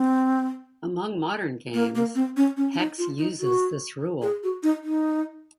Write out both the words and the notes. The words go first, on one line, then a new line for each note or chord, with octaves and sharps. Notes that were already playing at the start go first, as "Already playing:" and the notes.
Among modern games, Hex uses this rule.
Already playing: C4
A#3
A#3
C4
C#4
C#4
C#4
D#4
F4
D#4
F#4
G#4
F#4
D#4
D#4